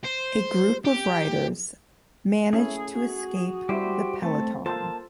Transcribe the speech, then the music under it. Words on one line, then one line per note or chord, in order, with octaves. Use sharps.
A group of riders managed to escape the peloton.
C5
G4
A3 C#4 E4 G#4
F#4
G3 E4 G4 C5
A3 C4 A5
A#3 F4 A4 C5 A5